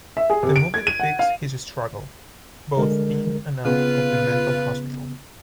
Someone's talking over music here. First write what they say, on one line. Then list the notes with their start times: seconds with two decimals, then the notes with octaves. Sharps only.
The movie depicts his struggle, both in and out of the mental hospital.
0.17 E5
0.30 G#4
0.43 C3
0.56 D7
0.74 G#6
0.87 D#7
1.00 F#5
1.19 F5
2.77 D3 G#3 A#4
3.65 C#3 B3 F4 B4